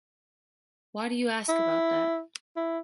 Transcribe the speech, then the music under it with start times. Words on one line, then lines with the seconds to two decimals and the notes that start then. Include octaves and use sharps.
Why do you ask about that?
1.49 E4
2.56 E4